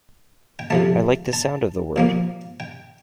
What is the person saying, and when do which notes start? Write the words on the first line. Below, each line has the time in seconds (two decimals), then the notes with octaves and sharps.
I like the sound of the word.
0.59 G5
0.70 C3 F3 A3 A5
1.33 A5
1.96 A#2 F3 A#3
2.60 G5